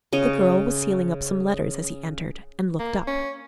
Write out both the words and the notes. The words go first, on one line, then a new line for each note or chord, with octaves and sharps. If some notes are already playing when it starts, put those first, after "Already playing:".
The girl was sealing up some letters as he entered and looked up.
C#3 C#5 D#5
A#3
C#4